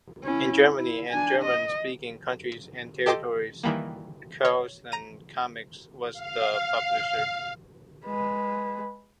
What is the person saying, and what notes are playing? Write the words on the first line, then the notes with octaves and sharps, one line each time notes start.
In Germany and German-speaking countries and territories, Carlsen Comics was the publisher.
C#4 E4
E4
D4 G#5
D#5
G4 A4 D#5 G5 C6 D6
D#3 E3 G3 A#3
C#5
A#5 D#7
F5
G#3 B4